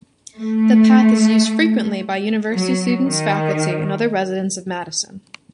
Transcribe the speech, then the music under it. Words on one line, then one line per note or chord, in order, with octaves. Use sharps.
The path is used frequently by university students, faculty, and other residents of Madison.
A3
F#3
D#3